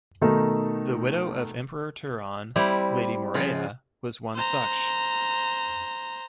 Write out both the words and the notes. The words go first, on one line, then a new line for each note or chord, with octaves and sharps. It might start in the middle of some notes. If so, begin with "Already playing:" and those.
The widow of Emperor Turhan, Lady Morella, was one such.
B2 D#3 A3 D#4 A4
G3 C4 E4
C#3 F3 F4
C5 A#5